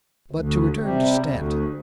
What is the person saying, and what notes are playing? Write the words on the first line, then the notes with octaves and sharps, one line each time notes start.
But to return to Stanton.
D2
C3 G3
D2